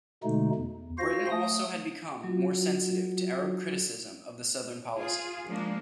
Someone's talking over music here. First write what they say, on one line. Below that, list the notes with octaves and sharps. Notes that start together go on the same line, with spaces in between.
Britain also had become more sensitive to Arab criticism of the southern policy.
B2 D3 G#3 A3 D#4
E2
F4 F#4 C5 F5 A#6
A3 D#6
F#3 F4 F#4
F4 G#4
F3 G#3 A#3 D4